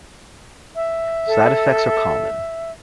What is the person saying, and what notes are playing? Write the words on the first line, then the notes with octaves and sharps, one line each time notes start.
Side effects are common.
E5
A4